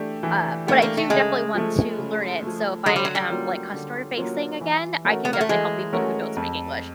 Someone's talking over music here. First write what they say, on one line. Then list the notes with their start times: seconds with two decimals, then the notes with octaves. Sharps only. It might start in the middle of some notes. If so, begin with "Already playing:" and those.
Uh, but I do definitely want to learn it so if I am, like, customer-facing again, I can definitely help people who don't speak English,
Already playing: E3 A3 D4 G4
0.23 E3
0.67 A3 B3 D4 G4
0.82 A#3
0.97 A3
1.10 C#3 G#3
1.55 F3 A3
1.98 C#3
2.43 F3 A3
2.86 D3 G#3
2.96 G3
3.05 F#3
3.15 G3
3.30 F#3 A#3 C#4 F4
3.74 D3
4.17 F#3 A#3 C#4 F4
4.61 E3
5.05 A3 C#4 F#4 A#4
5.25 B3
5.33 A#3
5.41 A3
5.49 E3 G#3
5.93 A3 C#4 F#4 A#4
6.37 F2